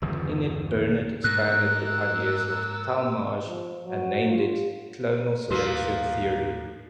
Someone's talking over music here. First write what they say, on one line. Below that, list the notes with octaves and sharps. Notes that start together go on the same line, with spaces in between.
In it Burnet expanded the ideas of Talmage and named it clonal selection theory.
G1 E2 C#3 F3
G#2 A#3 E6 F#6
F3
F#3
F4
D#2 A2 F3 A#3 F#4 A#4 B4